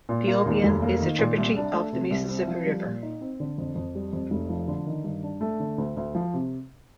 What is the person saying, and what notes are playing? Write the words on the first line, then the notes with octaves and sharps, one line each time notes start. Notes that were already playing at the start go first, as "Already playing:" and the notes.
The Obion is a tributary of the Mississippi River.
A#2
A#3
D#2
F1
A#3
D#3
A#2
C2
D4
A3
C3
C2
C4
F3
G3
A#2
D#4
C4
D3
F2
F2
G3
F2
F1
F3
D3
D#3
G2
D4
A3
D3
D2
D2
F3
C3